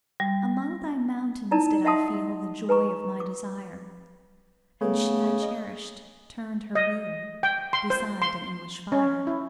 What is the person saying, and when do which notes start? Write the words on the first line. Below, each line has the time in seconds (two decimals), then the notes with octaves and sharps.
Among thy mountains did I feel The joy of my desire; And she I cherish'd turn'd her wheel Beside an English fire.
0.20 G3
1.51 D#4 E4 D5 A5 A#5
1.85 D#5 E5 F#5 A5 C6 D#6
2.69 B4 G#5 A#5 C#6
3.20 D6
4.81 C#3 A3 B3
5.42 D#5
6.75 D#5
7.43 G5
7.73 C6
7.90 C5
8.22 C6
8.92 C#4
9.27 E4